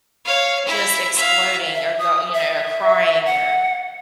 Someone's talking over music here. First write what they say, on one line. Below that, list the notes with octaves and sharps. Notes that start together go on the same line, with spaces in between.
just exploding or go you know, crying or
C#5 F5
E4 E5
E5 F5
E5
D#6
E5
F#5